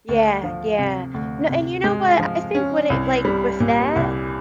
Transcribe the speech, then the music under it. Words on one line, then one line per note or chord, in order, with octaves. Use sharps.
Yeah, yeah. N and you know what, I think with it like with that,
D2
F3
C3
D2
C3
G#3
F3
C#4
C2
G3
A#2
C2